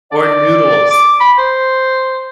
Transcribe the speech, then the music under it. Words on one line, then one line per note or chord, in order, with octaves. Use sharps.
Or noodles.
D5
D6
B5
C5